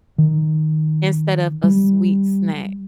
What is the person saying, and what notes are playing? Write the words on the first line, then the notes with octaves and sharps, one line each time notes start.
instead of a sweet snack,
D#3
G3